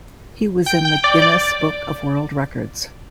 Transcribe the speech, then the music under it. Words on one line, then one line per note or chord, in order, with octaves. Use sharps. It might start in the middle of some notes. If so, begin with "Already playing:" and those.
He was in the Guinness book of World Records.
G5 G6
G5 G6
D5 D6
D5 D6